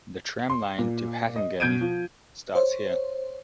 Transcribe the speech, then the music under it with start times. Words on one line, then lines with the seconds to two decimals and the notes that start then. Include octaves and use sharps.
The tramline to Hattingen starts here.
0.50 C6
0.78 A#2
1.36 D#5
1.60 B2 G6 G#6 D7 D#7
1.81 F3
2.55 C5 C#5